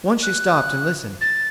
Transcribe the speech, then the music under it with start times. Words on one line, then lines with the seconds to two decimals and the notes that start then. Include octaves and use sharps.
Once she stopped and listened.
0.23 F#6
1.21 A6